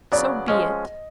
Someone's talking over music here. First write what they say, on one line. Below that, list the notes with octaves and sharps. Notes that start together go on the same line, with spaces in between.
So be it!
C#3 F#3 B3 D5
F3 G#3 C#4 D#5